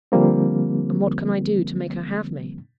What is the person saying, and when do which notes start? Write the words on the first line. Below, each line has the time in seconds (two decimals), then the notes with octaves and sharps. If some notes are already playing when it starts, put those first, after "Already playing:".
And what can I do to make her have me?
0.12 D3 F3 G3 A#3 C4